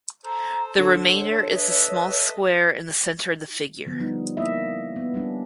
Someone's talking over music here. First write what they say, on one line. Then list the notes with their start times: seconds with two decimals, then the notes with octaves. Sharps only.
The remainder is the small square in the center of the figure.
0.24 A4 C5 A#5
0.78 D3 C#5 F#5
1.54 A4 B4 D#5 E5
3.86 D3 F3 B3
4.00 F3 G3 D#4
4.37 A#3 E4 D#5 E5
4.96 B3
5.14 G3 C#4 D4